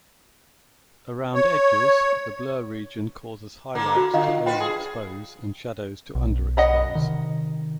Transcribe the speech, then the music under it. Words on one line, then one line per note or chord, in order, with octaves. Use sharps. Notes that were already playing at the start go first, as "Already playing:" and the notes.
Around edges, the blur region causes highlights to overexpose and shadows to underexpose.
C#5
D3 A#3
F#4
D3 F4 D#5 F5
F4 F#4 B4 G5
G#4
B1
D#5 F#5 B5
C3 D#3